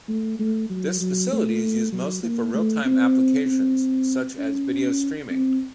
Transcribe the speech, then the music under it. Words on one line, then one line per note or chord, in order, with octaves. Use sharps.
This facility is used mostly for real-time applications, such as video streaming.
A3
A3
F#3
F#3
A3
F#3
A#3
A3
C4
C4
C#4
C4